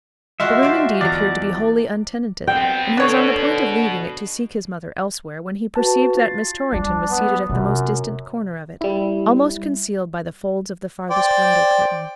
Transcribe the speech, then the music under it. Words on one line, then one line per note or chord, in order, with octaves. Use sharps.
The room, indeed, appeared to be wholly untenanted, and he was on the point of leaving it to seek his mother elsewhere, when he perceived that Miss Torrington was seated at the most distant corner of it, almost concealed by the folds of the farthest window-curtain.
G#3 F4 F#4 E5
C5 D5
E2 D5 A#5
G2 B3 C4 G5
B2 D3 B3 C#5
F#4 B4 A5
F4 A6 C7
F#3 G3 D4
B3
F#2 C3
G3 E4
C5 D5 G5